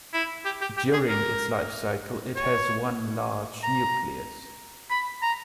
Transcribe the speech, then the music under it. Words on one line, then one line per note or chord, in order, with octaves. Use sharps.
During its life cycle it has one large nucleus.
E4
G4
G4
G4
G#4
A#4
C#5
A#5
B5
A#5